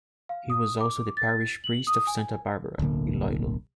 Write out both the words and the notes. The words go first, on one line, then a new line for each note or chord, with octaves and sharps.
He was also the parish priest of Santa Barbara, Iloilo.
F5
D#6
D6
A6
F#7
D#6
G#5
D1 B1 D3 A#3